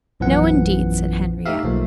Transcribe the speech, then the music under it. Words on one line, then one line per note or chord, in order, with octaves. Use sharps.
"No, indeed," said Henriette.
A#1 F#2 E3 F3 B3 F#5
A3 D#4 G4 E5 F5
B1 F3 A3 A#3